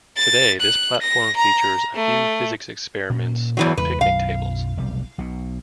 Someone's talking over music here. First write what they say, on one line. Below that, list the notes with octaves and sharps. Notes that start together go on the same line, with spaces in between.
Today, this platform features a few physics experiments and picnic tables.
A6
F#6
A#6
A#5
A3
A#2 C#4
E2 E3 F#3
E2 C#3 G#3 B4
B1 F#2 F5
F1 B1 G3
B1 B2